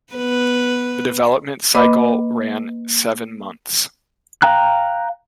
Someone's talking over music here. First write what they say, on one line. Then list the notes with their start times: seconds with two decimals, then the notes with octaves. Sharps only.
The development cycle ran seven months.
0.13 B3 B4
1.74 A#3 B4 D#5 B5 D6
4.42 F5 G5 A#5 F#6